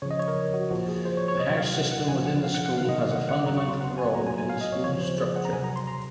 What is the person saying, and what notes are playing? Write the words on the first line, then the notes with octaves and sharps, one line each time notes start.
The House System within the school has a fundamental role in the school's structure.
C#3 F3 C#5
D#5
C#5
A#4
F#4
A#2 F3 F#4
G#4
C5
C#5
C#5
C3 F#3 D#5
F5
F#5
F#5
C#3 F3 G#5
F#5
F5
F#5
F#5
C3 D#3 F#3 F5
D#5
F5
F#5
F#5
C#3 F#3 A#5
C#6
C6
F#5
G#5
A#2 F#3 A#5
G#5
G#5
F5
D#5
C#5
C#3 F3 C#5
C5
G#4
F#5
A#5
C3 F#3 G#5
A#5
C6
A#5